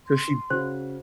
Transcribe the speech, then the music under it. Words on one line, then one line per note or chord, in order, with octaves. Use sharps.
So she
C6
C#3 F#4 C5